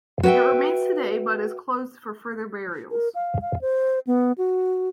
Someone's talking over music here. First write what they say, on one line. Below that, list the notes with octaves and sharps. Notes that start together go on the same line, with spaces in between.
It remains today but is closed for further burials.
F#4 B4 C#5 E5 G5
A#4
F5
F5
C5
B3
F#4